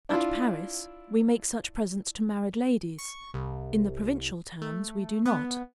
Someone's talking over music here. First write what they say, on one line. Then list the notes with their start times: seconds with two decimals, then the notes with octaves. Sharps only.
At Paris, we make such presents to married ladies; in the provincial towns, we do not.
0.09 D4 E4 F4
2.99 C#6
3.34 C2
4.61 A3
5.26 B3